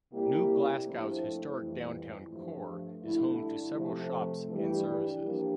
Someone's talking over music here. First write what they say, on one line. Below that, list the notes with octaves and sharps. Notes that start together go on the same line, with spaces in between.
New Glasgow's historic downtown core is home to several shops and services.
C3 G3 A#3 E4 G4
G2 F3 A3 C4 E4
F2 E3 G3
G2 F3 A3
G2 D3 A3 E4
C3 F3 A3
G2 E3 G3
F3 A#3 D4 G4